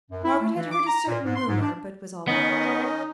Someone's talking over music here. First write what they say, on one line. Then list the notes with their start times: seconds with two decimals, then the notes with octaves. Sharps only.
Margaret had heard a certain rumour, but was all right.
0.11 F#2
0.24 E4
0.40 A3
0.56 E3
0.71 D6
0.87 A#5
1.07 A#2
1.24 G#2
1.36 C6
1.47 G#2
1.61 D4
2.28 D#3 B3 C#4 D#4 D#5